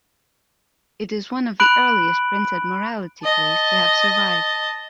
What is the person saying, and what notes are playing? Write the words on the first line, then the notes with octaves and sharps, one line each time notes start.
It is one of the earliest printed morality plays to have survived.
B5 F#6 D7 F#7
D#5 A5